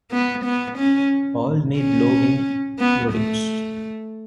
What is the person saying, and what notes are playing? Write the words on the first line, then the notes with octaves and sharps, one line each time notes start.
All need low wing loadings.
B3
B3
C#4
C#4
B3
A3